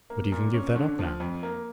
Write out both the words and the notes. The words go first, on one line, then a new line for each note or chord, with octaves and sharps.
"But you can give that up now."
A#3
A#2
C#4
D3
F3
F2
A#3